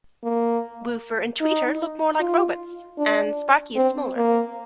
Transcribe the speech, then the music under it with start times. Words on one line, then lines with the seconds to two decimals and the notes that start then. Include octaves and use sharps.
Woofer and Tweeter look more like robots and Sparky is smaller.
0.23 A#3
1.41 D#4
2.19 F4
2.98 D4
3.76 C4
4.16 A#3